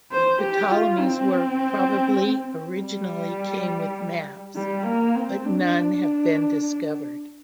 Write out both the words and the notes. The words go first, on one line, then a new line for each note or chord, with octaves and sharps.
Ptolemy's work probably originally came with maps, but none have been discovered.
C5
G4
F4
C4
G3
G3
A#3
C4
D4